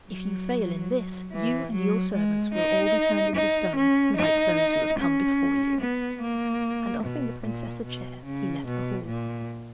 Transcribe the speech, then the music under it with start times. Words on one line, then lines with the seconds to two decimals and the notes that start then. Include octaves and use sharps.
If you fail in this, you and your servants will all be turned into stone, like those who have come before you.' And offering the princess a chair, he left the hall.
0.10 F#3
1.33 E3
1.73 F#3
2.14 G#3
2.54 D#4
3.35 D#4
3.76 C#4
4.17 D#4
4.99 C#4
5.81 B3
6.21 A#3
7.03 B2
7.43 A#2
7.84 B2
8.26 C#3
8.67 B2
9.07 A#2